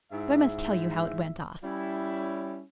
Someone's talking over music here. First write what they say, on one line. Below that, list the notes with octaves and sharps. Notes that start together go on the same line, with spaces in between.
But I must tell you how it went off.
G#2 E4 E5
G3 C#4 E4